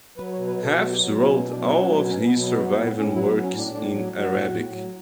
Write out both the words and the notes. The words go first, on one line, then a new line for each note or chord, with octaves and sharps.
Hafs wrote all of his surviving works in Arabic.
F#3 B4
C#5
B2
B4
B2
A4
F#3 F#4
G4
F#3
B2
E4
B2 C#4
D4
F#3
C#4
F#3
C#4
A3
B2 B3
C#4
B2
B3
F#3
B3
F#3 B3
B3
A2
B3
A2 C#4
F#3 E4
B3
F#3
C#4
A2
D4
A2 D4
D4
F#3
F#3 F#4
A2
A2
F#3